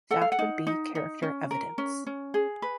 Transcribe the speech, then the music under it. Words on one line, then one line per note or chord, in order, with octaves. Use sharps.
That would be character evidence.
A4 F#5
F5
F#5
D#4
D#4
D#4
C#4
A#4
C#4
C#4
G#4
B4